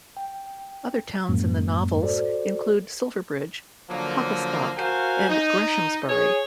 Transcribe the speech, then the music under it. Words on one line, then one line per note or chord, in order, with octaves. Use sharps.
Other towns in the novels include Silverbridge, Hogglestock and Greshamsbury.
G5
F#2 A2 G#3 A#3
F#4 A4 C5 D5
D3 F3 F#3 A#3
F#4 A#4 C5 F5 G#5
D#4
G#4 C#5